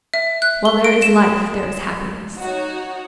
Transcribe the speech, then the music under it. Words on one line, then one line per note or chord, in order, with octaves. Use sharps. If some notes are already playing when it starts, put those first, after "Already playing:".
While there is life there is happiness.
E5
F#6
G7
D7
E7
D#4 F#4 C#5